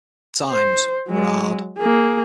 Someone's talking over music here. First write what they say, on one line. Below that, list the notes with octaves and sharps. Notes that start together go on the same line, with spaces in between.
Times were hard.
C5
F#3 G#3
A#3 G#4